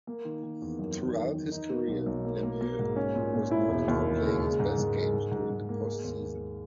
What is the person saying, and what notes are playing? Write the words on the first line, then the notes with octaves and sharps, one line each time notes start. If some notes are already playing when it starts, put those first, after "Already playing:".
Throughout his career, Lemieux was noted for playing his best games during the postseason.
A#3
D#3
D#3
E2
F#2
D#3
D#3
D#3
D#4
A#3
B1
B1
A#3
A#3
A#3
G#2
C#4
A#2
A#2
E4
E1
D#2
E1
C#3
G#3
G#2
G#2
G#3
G#2
G#2
G#2
A#3
G#3
D#2
G#3